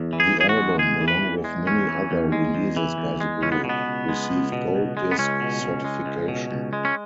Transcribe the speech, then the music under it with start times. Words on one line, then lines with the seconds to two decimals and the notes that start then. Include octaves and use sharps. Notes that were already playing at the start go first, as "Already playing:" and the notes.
The album, along with many other releases by the group, received gold disc certification.
Already playing: E2
0.13 E3
0.20 G#4
0.35 E2
0.41 G#4
0.49 F#4
0.57 G#3
0.78 E2 G#4
1.01 E3
1.08 B4
1.22 E2
1.44 G#3
1.66 E2 C#4
1.89 E3
2.11 E2
2.32 G#3
2.55 E2
2.77 E3
2.98 E2
3.21 G#3
3.42 C#2 C#4
3.52 B3
3.64 B2
3.69 B3
3.86 C#2
4.09 G#3
4.30 C#2
4.52 B2
4.75 C#2
4.97 G#3
5.11 B3
5.18 C#2 C#4
5.40 B2
5.62 C#2
5.84 G#3
6.06 C#2
6.28 B2
6.51 C#2
6.73 G#3
6.85 C#4